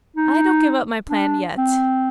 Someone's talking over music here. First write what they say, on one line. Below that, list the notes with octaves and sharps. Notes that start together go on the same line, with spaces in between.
'I don't give up my plan yet.
D#4
D4
C4